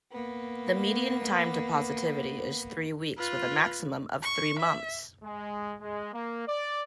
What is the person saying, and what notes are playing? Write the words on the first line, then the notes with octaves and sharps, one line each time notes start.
The median time to positivity is three weeks with a maximum of three months.
A#3 B3
F4 B4
C#6
E5
G#3
G#3
A#3
D5